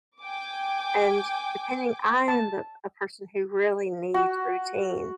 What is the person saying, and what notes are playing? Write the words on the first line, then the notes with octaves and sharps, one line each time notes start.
and depending I am the a person who really needs routine,
G5 G#5 D6
A5
F#4